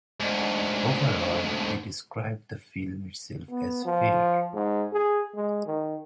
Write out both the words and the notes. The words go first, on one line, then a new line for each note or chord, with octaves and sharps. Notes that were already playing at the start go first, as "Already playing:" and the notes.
Overall, he described the film itself as "fair".
D2 G#2
B3
F3
G#2
G#4
G#3
D#3